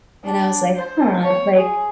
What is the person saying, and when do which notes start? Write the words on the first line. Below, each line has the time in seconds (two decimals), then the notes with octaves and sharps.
and I was like, "Huh," like,
0.24 D4
0.76 C5
1.23 C#5
1.58 G#4